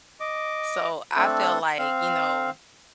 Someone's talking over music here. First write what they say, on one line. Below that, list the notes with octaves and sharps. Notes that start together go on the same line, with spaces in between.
So I felt like, you know,
D#5 D6
A3 C4 D4 A4
C4 F5